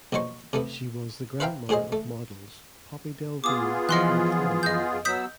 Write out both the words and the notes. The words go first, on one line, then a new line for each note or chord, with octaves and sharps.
She was the grandmother of models Poppy Delevingne and Cara Delevingne.
A#1 B2 F#3 C5 C#6
C3 A3 B3
B4 C5 E5 F5 G5 A#5
A2 F#4 G#4 C5 D#5
A3
B3 F4 G#4 D6 D#6
E3 F3 D#5 C6 F#6
D#5 G6
F#3 B3 D#6 E6 G6 B6